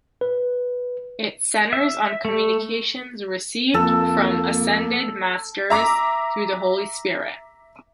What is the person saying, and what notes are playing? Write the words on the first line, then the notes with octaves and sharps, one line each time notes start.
It centers on communications received from Ascended Masters through the Holy Spirit.
B4
E5
A3
F2 A#3 A4
E5 A#5 D6